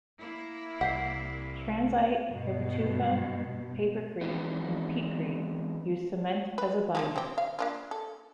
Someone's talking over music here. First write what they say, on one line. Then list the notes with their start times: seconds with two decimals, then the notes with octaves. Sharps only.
Transite, hypertufa, papercrete and petecrete used cement as a binder.
0.18 A#3 E4
0.81 C2 C5 F#5 B6 C7
2.28 G2 B2
4.21 E3 F#3 G#3 B3 C4 D#4
6.58 B4
6.95 F3 G3 A#3
7.16 C4 G4
7.38 F5
7.59 A#3 D4 F4
7.91 A4